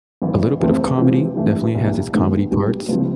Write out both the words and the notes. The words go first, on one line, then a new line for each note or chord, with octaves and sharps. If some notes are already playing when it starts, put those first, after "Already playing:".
a little bit of comedy, definitely has its comedy parts,
G#1 G#2 E3
F2 C3 E3 A3 C4
C3 E3 G#3 C4 F4
G2 E3 A3
C2 A#2 F3
G#2 D#3 G#3 B3
B1 B2 G3
C#2 C3 F3